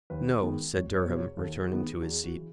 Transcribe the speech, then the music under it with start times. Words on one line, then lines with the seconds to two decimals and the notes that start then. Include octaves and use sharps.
"No," said Durham, returning to his seat.
0.10 D#2 B4
0.41 D#3 G#3 B3
0.74 E1 C#5
0.95 C#5
1.06 E2 B2
1.17 C#5
1.37 D#2 A4
1.59 G#4
1.70 D#3 G#3 B3
1.81 G#4
1.97 F#4
2.02 E2 G#4
2.24 F#4
2.34 C#3 E3